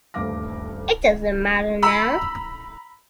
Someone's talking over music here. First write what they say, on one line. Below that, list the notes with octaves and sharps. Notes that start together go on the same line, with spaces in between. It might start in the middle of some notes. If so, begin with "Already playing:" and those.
It doesn't matter now.
D#1 D2 G2 F5 D6 A#6
A#5 B5 E6